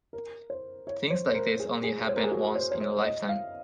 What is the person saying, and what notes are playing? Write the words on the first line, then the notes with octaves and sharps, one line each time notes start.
Things like this only happen once in a lifetime.
A#4
C5
C#5
C5
C5
A#4
G#4
G#4
C#5
C5
A#4
G#4
F#4
C5
C5
C#5
C#5
D#5
F5